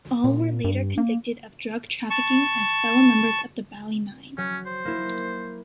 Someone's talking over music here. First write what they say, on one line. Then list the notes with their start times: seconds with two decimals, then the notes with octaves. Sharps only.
All were later convicted of drug trafficking as fellow members of the Bali Nine.
0.24 A#2
0.64 G2
0.98 A#3
2.10 A5 C#6
4.38 F#3 C#4
4.66 C5
4.85 A#3 E4